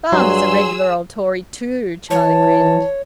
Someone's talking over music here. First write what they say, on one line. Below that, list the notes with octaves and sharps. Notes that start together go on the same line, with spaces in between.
"Father's a regular old Tory too," Charlie grinned.
G2 F#3 G#4 C6 E6
E3 C#5 A5